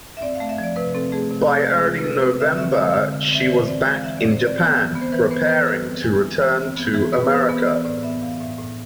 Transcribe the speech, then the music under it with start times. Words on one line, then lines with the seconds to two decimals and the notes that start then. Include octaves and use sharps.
By early November, she was back in Japan, preparing to return to America.
0.17 E5
0.22 C4 D5
0.35 F5
0.40 A3
0.49 E5
0.58 F3
0.64 D5
0.76 C3 B4
0.95 C4 A4
1.12 A3 G#4
1.31 C3
1.49 C4
1.67 G#3
1.77 G#4
1.86 C3 F4
1.99 B4
2.04 C3 A4
2.22 C4 B4
2.40 D3 E5
2.58 C4 E5
2.72 F5
2.76 G#3 E5
2.94 D3
3.13 D3
3.31 C4 E5
3.41 D5
3.50 E3 C5
3.67 C4 D5
3.85 G#3 F5
4.03 E3 E5
4.17 E3 D5
4.31 C5
4.41 C4 D5
4.58 B3
4.77 E3
4.95 B3
5.01 C5
5.12 E3 B4
5.30 B3 C5
5.49 E3 B4
5.67 E3 A4
5.86 C4
6.04 G#3
6.22 E3
6.40 E3
6.58 C4
6.77 B3
6.94 E3 G#4
7.13 B3 B4
7.31 E3 C5
7.49 B3
7.67 E3 D5
7.85 A2 D5
8.03 B3 E5
8.22 E3 F5
8.40 A2 E5
8.58 A2